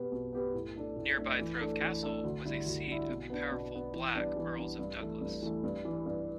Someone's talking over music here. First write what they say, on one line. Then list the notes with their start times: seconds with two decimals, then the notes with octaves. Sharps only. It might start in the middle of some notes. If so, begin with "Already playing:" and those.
Nearby Threave Castle was a seat of the powerful "Black" Earls of Douglas.
Already playing: B2 B3 G4 B4
0.12 B2
0.33 B3 G4 B4
0.54 A2
0.75 A3 D4 A4
0.96 A2
1.18 A3 D4 A4
1.39 E3
1.60 A3 D4 A4
1.81 E3
2.03 A3 D4 A4
2.24 D2
2.45 D3 G3 E4
2.66 D2
2.87 D3 G3 E4
3.09 B2
3.30 B3 D4
3.51 B2
3.73 B3 D4
3.94 E3
4.15 G3 B3 D4
4.37 E3
4.57 G3 B3 D4
4.79 G2
5.00 E3 A3
5.21 G2
5.42 E3 A3
5.64 G2
5.85 E3 G3
6.06 G2